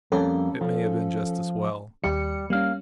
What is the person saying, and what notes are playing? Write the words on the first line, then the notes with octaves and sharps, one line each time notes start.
It may have been just as well.
F2 G3 A#3 C#4 A4
F3
D#2 G3 G4 C#7
G3 A#3 C#4 F5